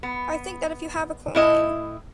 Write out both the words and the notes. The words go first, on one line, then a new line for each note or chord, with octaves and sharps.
I think that if you have a coin.
B3
A2 E4 D#5